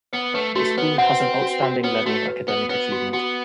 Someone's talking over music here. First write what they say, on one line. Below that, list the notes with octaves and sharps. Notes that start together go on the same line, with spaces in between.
The school has an outstanding level of academic achievement.
B3 B4
A3 B4
A3 F#4
B3 B4
C4 F#5
B4
F#4
F#4
B3 B4
A3 F#4
B4
B3 B4
B3 B4
F#4
B3 F#4